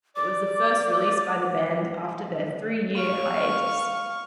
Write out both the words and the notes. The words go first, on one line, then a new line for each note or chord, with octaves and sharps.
It was the first release by the band after their three-year hiatus.
D5 D6
F5 C#6